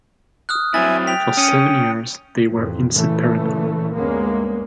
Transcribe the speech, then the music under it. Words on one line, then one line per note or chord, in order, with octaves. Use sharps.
For seven years they were inseparable.
D#6 F6 F#6
F#3 C4 E4 E5 G#5 A6
G5 B6 F7
C#4 D#6 C#7 D#7
A1 F2
A#2 C#3 E3 A3
D2 G2 G#3 A#3 B3 C#4